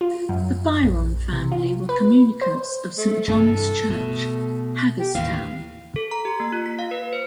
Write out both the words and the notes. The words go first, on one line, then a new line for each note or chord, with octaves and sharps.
The Byron family were communicants of Saint John's Church, Hagerstown.
F4
F#2
A#1
C3
F4
B4
C5
A3
G2 C3 E3 A4
B2 A3
G4
D#2 A2 E3 F5
A4
A#5
G4
A#3
F4
B6
F5
B4
C5